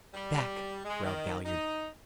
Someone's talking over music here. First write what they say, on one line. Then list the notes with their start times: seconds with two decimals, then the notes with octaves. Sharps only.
"Back!" growled Galliard.
0.14 G3
0.85 G#3
1.03 D#3
1.45 D#4